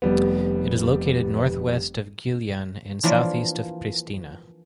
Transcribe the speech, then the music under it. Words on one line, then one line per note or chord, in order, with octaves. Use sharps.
It is located northwest of Gjilan and southeast of Pristina.
F1 G3 B3
E3 F3 A#3 D4